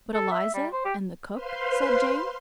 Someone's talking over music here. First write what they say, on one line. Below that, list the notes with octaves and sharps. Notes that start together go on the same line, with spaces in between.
'But Eliza, and the cook?' said Jane.
A4
E5
G3
C5
G4
B4 C5 F5 C6